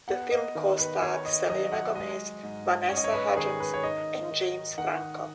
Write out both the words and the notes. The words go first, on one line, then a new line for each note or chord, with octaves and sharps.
The film co-starred Selena Gomez, Vanessa Hudgens, and James Franco.
B3 F#5
D#5
D#3
B4
D#3 C#5
D#5
F#3 D#5
F#5
G#3 D#5
G#2
C#4 C#5
D#5
C#5
B4
D#3 G#4
B4
C#5
D#4 D#5
D#3
D#3 F#5